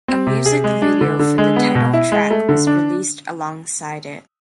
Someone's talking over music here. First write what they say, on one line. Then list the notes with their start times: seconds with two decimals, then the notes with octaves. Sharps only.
A music video for the title track was released alongside it.
0.08 C4
0.27 C3
0.46 G#4
0.64 G#3
0.82 D4
1.01 D3
1.19 D3
1.38 G#3
1.56 B3
1.75 B2
1.93 E4
2.12 G#3
2.31 A3
2.49 D3
2.67 D4